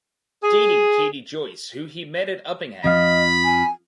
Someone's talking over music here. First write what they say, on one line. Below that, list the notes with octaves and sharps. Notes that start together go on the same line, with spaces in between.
Dating Katie Joyce who he met at Uppingham.
G#4
F2 F3 D#5 F5 B5
G#5